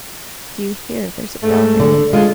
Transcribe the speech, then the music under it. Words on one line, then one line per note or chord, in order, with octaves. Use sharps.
Do you hear, there's a bell ringing?
G#2 A3
D3
D3 G#3 C#4 F4